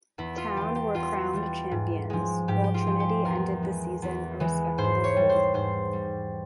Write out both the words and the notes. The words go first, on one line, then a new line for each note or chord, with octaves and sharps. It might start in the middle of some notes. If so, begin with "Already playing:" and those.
Town were crowned champions, while Trinity ended the season a respectable fourth.
E2 E4
F4
E3 G3 G4
G4
E2 F4
E3 G3
G#2
F3 G#3
G#2 G4
G4
F4
F3 G#3
G4
E2 A#4
E3 G#3
E2
E3 G#3
G#2 C5
C#5
G3
C5
G#2 C5
G3